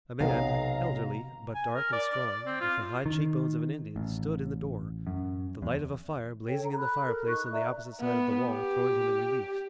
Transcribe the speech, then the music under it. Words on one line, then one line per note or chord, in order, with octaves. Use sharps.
A man, elderly, but dark and strong, with the high cheek bones of an Indian stood in the door, the light of a fire blazing in the fireplace on the opposite side of the wall throwing him in relief.
B1 C3 B3 F5 A#5
G#5
A#4
D5
D5
D5
C4
F4
D#3
A1
F#2
E2
A4 C#5 G5
A#5
B5 F#6
A4 A#4
D#4 C#6 F#6
D5 E5 A#5
B3
G4